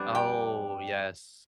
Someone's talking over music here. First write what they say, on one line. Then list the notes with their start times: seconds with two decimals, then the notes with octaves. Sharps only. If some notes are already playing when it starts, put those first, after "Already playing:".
Oh, yes.
Already playing: F2 G3 B3 D4
0.15 G5